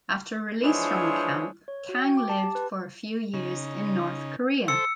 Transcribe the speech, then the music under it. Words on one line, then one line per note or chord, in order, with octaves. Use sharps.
After release from the camp, Kang lived for a few years in North Korea.
E3 F3 G#3 D4 C5 C#5
C#5
F#4
G5
D6
A5
G4
B4
C#3 D#4
A4 C5 E6 C#7